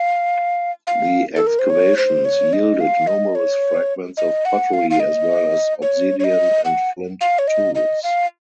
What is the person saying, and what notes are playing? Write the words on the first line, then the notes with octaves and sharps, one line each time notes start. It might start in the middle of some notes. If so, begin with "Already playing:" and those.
The excavations yielded numerous fragments of pottery as well as obsidian and flint tools.
Already playing: F5
F5
A4
A#4
C5
C#5
C5
C#5
D#5
F5
D#5
C#5
D#5
F#5
F5
F5
D#5
C#5
C#5
D#5
F#5
F5
C#5
D#5
D#5
F5